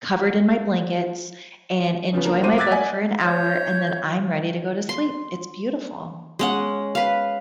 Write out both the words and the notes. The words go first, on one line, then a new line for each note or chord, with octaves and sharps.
covered in my blankets and enjoy my book for an hour, and then I'm ready to go to sleep, it's beautiful.
C#3 F3 B3 C#4
A#3 D4
C4 F#4 C5 D6 D#7
D6 F#6 G#6 A6 B6
D5 D#5 F#5 G#5
C#5 G6
C6
G#3 C#4 F#5
B4 F5